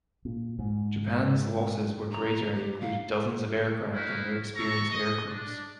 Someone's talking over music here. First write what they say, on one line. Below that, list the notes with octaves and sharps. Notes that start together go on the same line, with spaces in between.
Japan's losses were greater and included dozens of aircraft and their experienced aircrews.
A#2
G#2
A#5
G4
F5
D#4 E4 F#4 F5
A4 A#5 C#6
D#5
D4